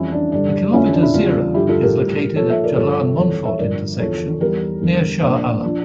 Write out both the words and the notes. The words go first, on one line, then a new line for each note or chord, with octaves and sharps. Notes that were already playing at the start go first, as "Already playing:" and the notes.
The Kilometre Zero is located at Jalan Monfort intersection near Shah Alam.
Already playing: F2 E3 G3 C#4 E4
D4
G2 D3 G3 D4
F2 D3 F3 C#4 E4
D4
E4
E2 C#3 G3 D4 F4
G2 D3 F3 E4 G4
F4 A4
G4 A#4
A2 G3
A#2 F3 A4 C#5
C#5 E5
A#4 D5
G2 D3 F3 A4 C#5
F2 E3 G3 A4 C#5
C#5 E5
G2 D3 F3 A#4 D5
E2 D3 F3 A4 C#5
E2 E3 G3 G4 A#4
E2 D3 G3
A#2 F3 D4
F3 D4